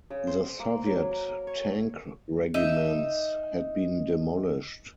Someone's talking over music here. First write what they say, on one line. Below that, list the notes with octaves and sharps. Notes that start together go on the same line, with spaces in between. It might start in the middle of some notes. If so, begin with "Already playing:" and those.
The Soviet tank regiments had been demolished.
C#3
C5
A#3
F#3
A#4
C#5
D#4 E5